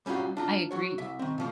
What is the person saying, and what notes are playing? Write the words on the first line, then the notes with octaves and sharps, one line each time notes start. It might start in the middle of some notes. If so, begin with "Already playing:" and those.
I agree,
G3 C#4 D#4 F4 F#4
D4 F4 A#5
F#3 F#4 C#5
C2 E5
D#3 C4
C#3 F3 A#3